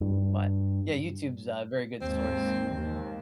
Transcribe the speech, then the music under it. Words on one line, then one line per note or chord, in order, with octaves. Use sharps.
but yeah, YouTube's a very good source,
G2
D#2 G#2 C4
D#2